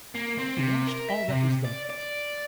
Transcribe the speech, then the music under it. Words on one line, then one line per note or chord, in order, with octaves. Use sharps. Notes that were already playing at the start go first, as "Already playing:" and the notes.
He watched all that was done.
A#3
C4
C3
A#4
E5
C3
D5
D5